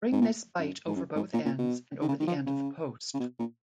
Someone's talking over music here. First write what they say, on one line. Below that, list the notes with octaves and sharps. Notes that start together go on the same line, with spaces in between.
Bring this bight over both ends and over the end of the post.
G#2
A#2
F#2
G#2
F#2
G#2
A#2
A#2
B2
D#3
C#3
D#3
F3
C#3
C#3
B2
A#2